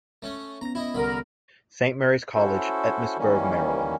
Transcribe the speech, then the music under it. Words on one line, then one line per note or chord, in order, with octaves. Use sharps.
Saint Mary's College, Emmitsburg, Maryland.
A3 C#4
B3 C#4 A#5 A#6
E4 D#5
C2 D3 A#4 B5
C#4 E4 F#4 A4 C5
D#3 E3 G3 A#3 C#4